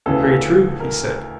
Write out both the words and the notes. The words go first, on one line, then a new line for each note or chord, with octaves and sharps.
Very true, he said.
D2 C#3 E3 A4
A#4